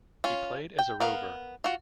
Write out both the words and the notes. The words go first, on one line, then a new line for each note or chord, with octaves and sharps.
He played as a rover.
C#4 F4
G5
B3 A#4 F5
F4 F#4